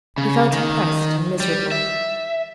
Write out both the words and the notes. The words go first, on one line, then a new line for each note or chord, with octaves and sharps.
He felt oppressed and miserable.
C#3
D#3
G3
E5